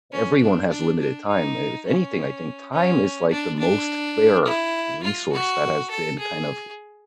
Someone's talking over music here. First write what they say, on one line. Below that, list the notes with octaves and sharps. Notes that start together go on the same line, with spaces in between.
everyone has limited time. If anything, I think time is, like, the most fair resource that has been, kind of,
C#4
D4
D4
D4
D#4
C#4
C#4
D4
D4
E4
F4
F#4
A4
G#4